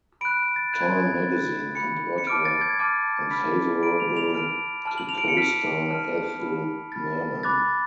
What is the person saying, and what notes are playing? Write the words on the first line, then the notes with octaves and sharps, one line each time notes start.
"Time magazine" compared her unfavorably to co-star Ethel Merman.
B5 F#6 D7
A6
B5 F#6 G#6
G#6
G#6
B5 F#6 A6
B5 F#6 C#7
C#7
A5 D6 F6 D7
A6
G#6
A5 D6 F6 A6
B5 F6 B6
B5 F6 D7
F7
F7
A5 F6 D7
A5 F6
F#7
F7
D7
C#7
A5 F6 B6
A5 F6
B5 F6
B5 F6 A6
B5 D6 F#6 A6